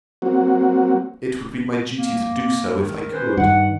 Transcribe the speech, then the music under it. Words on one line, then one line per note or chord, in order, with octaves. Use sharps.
It would be my duty to do so, if I could.
F#3 A#3 C4 F#4
A#3
D#3
C#4 B4 C5
G2 D#3 F#5